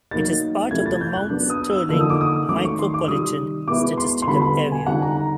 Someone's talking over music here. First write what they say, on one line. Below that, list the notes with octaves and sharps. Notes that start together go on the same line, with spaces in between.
It is part of the Mount Sterling Micropolitan Statistical Area.
F#3 A#3 D#4 A6
C3 F3 A3 C4 E4 G#6
A6
G#6
G6
F#6
F#3 B3 D4
D#6
E6
D3 F3 A#3 D#4 E6
D#6
D6
D#6
D#3 F#3 A3 C4 D6
C#6
C6
D6
C3 D#3 G3 D#6
B2 G#3 B3 E4 D6
C6
C6
D3 G3 B3 B5
B5
G#5
D3 G3 C4 D#4 F#5
A#5
A#5